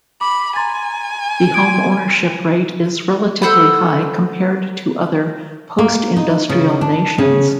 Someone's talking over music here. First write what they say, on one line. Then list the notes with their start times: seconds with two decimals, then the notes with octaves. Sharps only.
The home ownership rate is relatively high compared to other post-industrial nations.
0.21 B5 D6
0.56 G#5 A#5 C6 A6
1.54 C6 G#6 D7
3.42 A4 C5 F#5 B5
5.78 A#3
6.16 D#4
6.49 C#3
6.81 D4
7.18 C#3